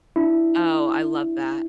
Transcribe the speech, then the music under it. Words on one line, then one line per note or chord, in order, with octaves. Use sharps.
Oh, I love that.
D4 E4